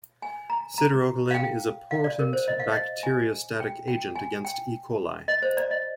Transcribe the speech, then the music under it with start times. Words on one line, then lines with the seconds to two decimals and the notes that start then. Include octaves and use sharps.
Siderocalin is a potent bacteriostatic agent against "E. coli".
0.22 G#5
0.50 A#5
0.78 A#5
1.31 F5
1.34 G5
1.91 F5
2.04 D5
2.19 A#4
2.33 C5
2.48 D#5
2.60 F5
2.72 D#5
3.03 G#5
3.60 G5
3.88 G5
4.15 G#5
4.45 G5
5.28 D#5
5.42 C5
5.57 D5
5.71 D#5